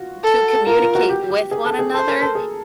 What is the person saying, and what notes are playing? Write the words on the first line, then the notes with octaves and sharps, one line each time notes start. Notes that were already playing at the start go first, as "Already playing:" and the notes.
to communicate with one another,
Already playing: F4 F#4
A4
F4 A#4
F4
F#4
G4
G4
G#4
A4
G#4
A4 C5
A#4
A4
G#4